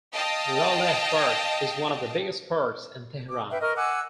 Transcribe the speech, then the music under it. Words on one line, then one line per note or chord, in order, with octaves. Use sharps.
Laleh Park is one of the biggest parks in Tehran.
D#5 F5 G5 A5
D6
B4 E5 F5 G5
A#4 D#5 C#6 F6
F#5 G#5 D6 E6